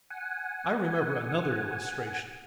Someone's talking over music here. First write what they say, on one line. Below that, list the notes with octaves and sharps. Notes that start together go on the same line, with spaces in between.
I remember another illustration.
F#5 G#5